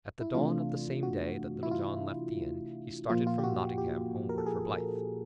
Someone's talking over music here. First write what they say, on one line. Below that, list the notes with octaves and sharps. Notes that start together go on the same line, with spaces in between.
At the dawn of the same day that Little John left the inn, he started from Nottingham, homeward for Blyth.
E4
C3 E3 A3 D4 F4
F#4
E4
F4
A#2 F3 A#3 F4
F4
G4
F#4
G4
A#4
A4
G#4